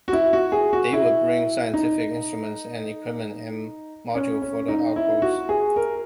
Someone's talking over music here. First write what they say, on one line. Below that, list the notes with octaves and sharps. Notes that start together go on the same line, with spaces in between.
They would bring scientific instruments and equipment and modules for the outpost.
F#4
E4
F#4
G#4
F#4
E4
D#4
C#4
C#4
D#4
E4
F#4
G#4
A#4